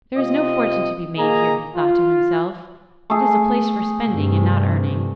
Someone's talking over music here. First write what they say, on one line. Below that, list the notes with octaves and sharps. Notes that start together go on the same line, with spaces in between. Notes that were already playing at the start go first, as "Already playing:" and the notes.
'There is no fortune to be made here,' he thought to himself; 'it is a place for spending, and not earning.
C3 C4 F4 D#5
A#2 A#3 G#4 D#5 A#5
F4
A3 G#4
G2 C3